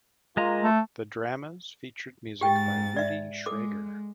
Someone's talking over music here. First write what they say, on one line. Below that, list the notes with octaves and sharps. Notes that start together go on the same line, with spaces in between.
The dramas featured music by Rudy Schrager.
G#3 A#3 F4 D#5 A#5
A3
G#2 G4 G5 A6
D5 E5
G#3 A4 D6